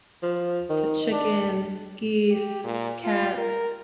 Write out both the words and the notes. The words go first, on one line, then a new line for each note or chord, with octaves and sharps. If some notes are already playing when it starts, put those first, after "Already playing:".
to chickens, geese, cats
F3
D#3
D4
G4
A#2
F4
A#4